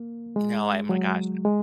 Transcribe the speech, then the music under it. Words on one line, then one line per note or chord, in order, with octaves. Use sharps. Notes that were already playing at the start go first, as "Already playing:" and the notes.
No, I my gosh,
Already playing: A#3
G#3
F#3
G#3